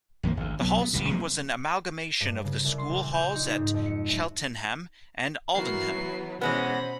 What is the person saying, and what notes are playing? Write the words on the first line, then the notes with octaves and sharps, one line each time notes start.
The Hall scene was an amalgamation of the school halls at Cheltenham and Aldenham.
A#1 F2 D#3 A#3
G#1 D2
B1 F#3 B3
B3
D1 C2 A#2
C3 F3 F#3 A#3
G2
C#3
C2
C6
A#1
G6
D#4
G#2
F2
C#7
F#2
E3 F#3 B3 F#4 A#4 C7
B4
B2 E3 G#3 B3 C#4 C5 B5 A#6